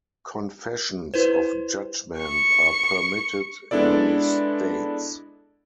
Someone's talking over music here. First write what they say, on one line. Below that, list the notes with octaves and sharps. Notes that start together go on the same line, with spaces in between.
Confessions of judgment are permitted in many states.
E4 B4 C5
C#6 C#7
G#3 B3 D4 E4 A4 D5